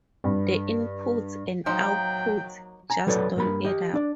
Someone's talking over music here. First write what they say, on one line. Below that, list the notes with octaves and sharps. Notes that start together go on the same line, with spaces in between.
The inputs and outputs just don't add up.
G2
F3 F#3 A#3 D#4 G5
G#5 A#5
F#3 A4 B4 C#5 D5
G2 A#3 B5
G4 D#5
D4 D5